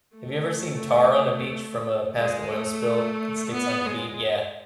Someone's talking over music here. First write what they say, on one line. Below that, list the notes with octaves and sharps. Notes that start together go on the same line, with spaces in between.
have you ever seen tar on a beach from a past oil spill that sticks on your feet? Yeah.
A3
G#3
A3
B3
G#3